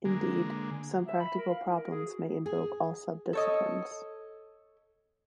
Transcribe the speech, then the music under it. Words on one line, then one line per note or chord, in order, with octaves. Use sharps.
Indeed, some practical problems may invoke all sub-disciplines.
D3 G#3 A#3
E5
B5
A#4
F5
E4
A#4
G#4
F#4
G#4
A4 C#5 D#5